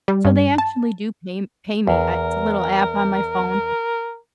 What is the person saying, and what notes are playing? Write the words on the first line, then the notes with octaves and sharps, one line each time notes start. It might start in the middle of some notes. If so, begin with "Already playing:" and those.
So they actually do pay m pay me, I it's a little app on my phone,
G3
G2
A5
E2 A#4